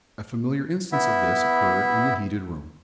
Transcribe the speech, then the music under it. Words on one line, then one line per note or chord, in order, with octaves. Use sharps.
A familiar instance of this occurred in the heated room.
B3 E4 E5